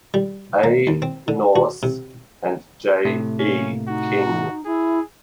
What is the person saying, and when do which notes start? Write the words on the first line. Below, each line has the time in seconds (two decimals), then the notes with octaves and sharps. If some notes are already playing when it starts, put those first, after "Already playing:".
A. Knauss and J. E. King.
0.14 G3
0.64 A#3
0.87 D#2
1.02 C4
1.28 D3
1.56 F#4
1.83 C3
3.05 A2 C3 A3
3.39 A#3 C#4
3.88 D#4 F#4
4.65 E4 G#4